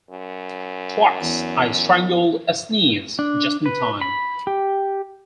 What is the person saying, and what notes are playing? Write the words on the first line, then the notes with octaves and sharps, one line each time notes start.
Twice I strangled a sneeze just in time.
F#2
E2
D4
B4
B5
G4